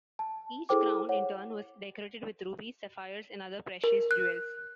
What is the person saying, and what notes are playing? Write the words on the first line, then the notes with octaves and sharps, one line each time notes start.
Each crown in turn was decorated with rubies, sapphires and other precious jewels.
A5
E4 G#4 A4 C5 G5 D6
C#5 F#5
A#4
F#6